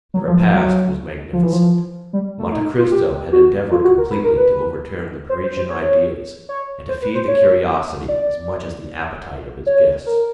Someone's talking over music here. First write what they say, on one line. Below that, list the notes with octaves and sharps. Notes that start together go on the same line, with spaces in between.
The repast was magnificent; Monte Cristo had endeavored completely to overturn the Parisian ideas, and to feed the curiosity as much as the appetite of his guests.
F#3
F3
F3
F#3
F3
E3
F3
G3
A3
D#4
F4
G4
F#4
F4
F#4
A#4
B4
A#4
B4
C5
C5
C5
C#5
C#5
C5
B4
C5
C#5
D5
C#5
A#4